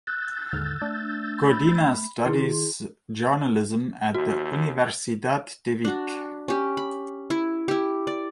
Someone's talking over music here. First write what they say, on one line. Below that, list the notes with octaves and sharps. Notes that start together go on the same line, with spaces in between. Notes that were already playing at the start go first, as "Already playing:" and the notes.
Codina studies journalism at the Universidad de Vic.
E6 F#6 G6 A6
D#2 G#2 D3 F6
A3 D4
B5
D#3 E4 G#4 C6
D#2 F#4
D4 F#4
C#4 G4
B5
E4
E4 G4
D5